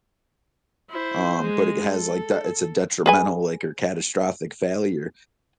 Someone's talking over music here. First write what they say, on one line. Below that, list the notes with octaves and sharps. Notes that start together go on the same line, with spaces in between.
um, but it has, like, that it's a detrimental, like, or catastrophic failure,
E4 C5
G#3
A4
G#4 B4 G#5